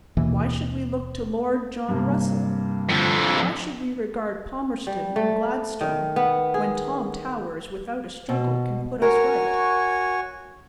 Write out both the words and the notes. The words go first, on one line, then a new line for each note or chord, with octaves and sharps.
Why should we look to Lord John Russell;--why should we regard Palmerston and Gladstone, when Tom Towers without a struggle can put us right?
D#2 B2 E3 A#3
G2 C3 A#3
F2 D3
G3
A3
D#3
B3
G#4
B2
F#4 A#4 C#5 G#5